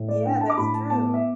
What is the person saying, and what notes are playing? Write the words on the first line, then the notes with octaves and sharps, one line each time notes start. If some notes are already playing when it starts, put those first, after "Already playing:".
Yeah, that's true.
Already playing: A2
D5
D4 G5
A5
D6
A2 B5
A5
B3 A5
E5